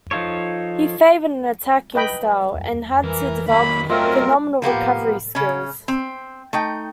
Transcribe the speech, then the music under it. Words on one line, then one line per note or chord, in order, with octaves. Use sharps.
He favoured an attacking style, and had to develop phenomenal recovery skills.
F3 D#4 F4 A4 C#5
B4 D#5 G5 B5
E3 A#4
D#3 F#3 A#3 B5
F#3 A3 C4 F4 A#4 D#5 E5
F3 A#3 B3 G4
C#3 C#4
C4
A3 D#4 G5